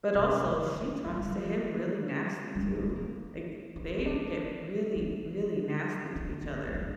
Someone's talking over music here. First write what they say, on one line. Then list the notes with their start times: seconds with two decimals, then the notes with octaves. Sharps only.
But also, she talks to him really nasty too. Like, they get really, really nasty to each other.
0.15 C3
0.45 D3
0.75 D#3
1.05 F3
1.17 G3
1.29 F3
2.55 G3
2.75 A3
2.89 C4
2.96 A#3
3.76 D4
3.98 C4
4.05 D4
4.96 D#4
6.16 D4
6.45 C4
6.67 C4
6.75 D4